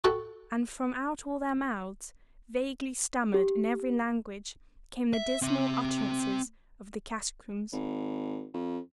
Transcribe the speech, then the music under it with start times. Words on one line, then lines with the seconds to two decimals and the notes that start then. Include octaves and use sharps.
And from out all their mouths, vaguely stammered in every language, came the dismal utterances of the catacombs.
0.04 F#4 A4 F#5 G5
3.34 G4
5.13 E5
5.42 C4 E5
7.73 G#1
8.54 F2